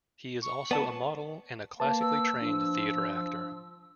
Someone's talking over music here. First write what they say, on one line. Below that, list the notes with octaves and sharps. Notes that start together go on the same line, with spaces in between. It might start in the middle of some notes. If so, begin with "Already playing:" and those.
He is also a model and a classically trained theater actor.
C#6
B3 D5 A5
A#3 B4 A5
E6
F3 D4